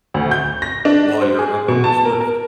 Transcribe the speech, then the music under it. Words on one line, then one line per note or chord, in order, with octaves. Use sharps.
While you're up on this lift.
D2
G6
A#6
D4
C5
G#4
B2
A5
A#4
A#4